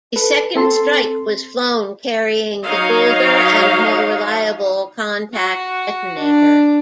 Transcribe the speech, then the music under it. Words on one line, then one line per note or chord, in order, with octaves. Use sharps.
A second strike was flown carrying the older, and more reliable, contact detonator.
A4 B4
C4 A4 C6
F#3 D#4 C#5 D#5 F5
F#4
D4